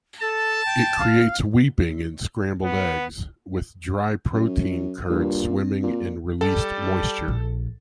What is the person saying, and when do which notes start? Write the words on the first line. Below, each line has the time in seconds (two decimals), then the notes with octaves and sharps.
It creates weeping in scrambled eggs, with dry protein curd swimming in released moisture.
0.21 A4 A5
0.66 G5
0.99 F5
2.65 B3
4.33 F#2
5.09 G2 A#2
5.49 C4
5.83 A#2
6.41 G3 A4
7.28 A#1